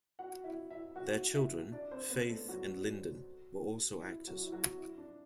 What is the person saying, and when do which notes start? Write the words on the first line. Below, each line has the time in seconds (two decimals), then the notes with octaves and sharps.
Their children, Faith and Lyndon, were also actors.
0.19 F#4 F#5
0.44 E4 E5
0.70 E4 E5
0.96 F#4 F#5
1.33 E4 E5
1.72 D4 D5
1.91 C4 C5
2.10 B3 B4
2.29 A3 A4
2.48 F#3 F#4
4.02 E4
4.27 F#3 F#4
4.43 E4
4.52 F#3 F#4
4.79 E4
4.98 D4